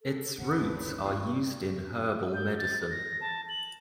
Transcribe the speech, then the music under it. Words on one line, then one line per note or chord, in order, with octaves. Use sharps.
Its roots are used in herbal medicine.
A4
G#1 D#2 A3 F#5
F3 G#4 B4
C#3 C#4 D#4
C3 F4 C#6 D#6
G6
A6
A#6
A5
F#7